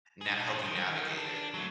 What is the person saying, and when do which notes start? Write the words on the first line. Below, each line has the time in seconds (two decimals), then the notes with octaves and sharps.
na help you navigate it.
0.21 D4 G#4
0.64 D#3
1.18 D4
1.54 F#3 A3